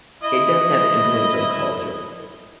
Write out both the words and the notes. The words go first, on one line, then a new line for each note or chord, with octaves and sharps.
It doesn't have an influence on culture,
E4 D#5